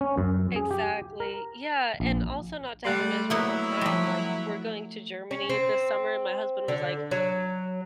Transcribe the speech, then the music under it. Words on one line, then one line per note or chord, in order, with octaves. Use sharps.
Exactly, yeah, and also not to have a miserable time, like, we're going to Germany this summer and my husband was like,
C#4
F#2
G#4
G4
A#4
A#1
G3 A3 F#5 C6
F#3 A#3 B3 E4 F#4
F3 G3
C#4
C4
D3
F#3